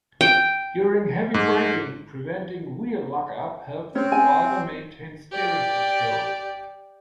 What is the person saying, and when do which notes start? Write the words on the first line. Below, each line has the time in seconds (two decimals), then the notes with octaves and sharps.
During heavy braking, preventing wheel lock-up helps the driver maintain steering control.
0.21 G5
1.34 G#2
3.95 C4 C#4 C#5
4.12 G#5
5.32 G4 D5